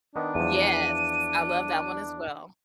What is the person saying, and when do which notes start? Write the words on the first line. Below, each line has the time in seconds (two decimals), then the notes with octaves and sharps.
Yes, I love that one as well.
0.16 D#3 B3 D4 D#4
0.35 E2 F3 D#7